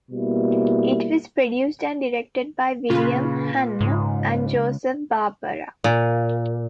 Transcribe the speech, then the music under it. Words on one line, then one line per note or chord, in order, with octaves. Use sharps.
It was produced and directed by William Hanna and Joseph Barbera.
B2 G3 A#3 E4
A#2 C#3 F4 B4
C#2 G#2
A#2